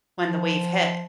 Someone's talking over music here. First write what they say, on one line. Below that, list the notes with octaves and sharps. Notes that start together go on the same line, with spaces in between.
when the wave hit.
F3